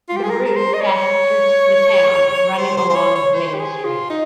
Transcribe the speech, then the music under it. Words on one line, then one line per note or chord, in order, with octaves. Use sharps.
The route passes through the town, running along Main Street.
F4
G4
G#4
A#4
A#4
C5
D#5
C#5
C5
C5
C5
C#5
C#5
C5
G4
G#4
F4
D#4